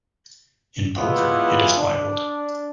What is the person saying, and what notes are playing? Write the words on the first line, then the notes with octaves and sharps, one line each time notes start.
In poker, it is wild.
E3 F#3 G#3 B3 E4 F4
D4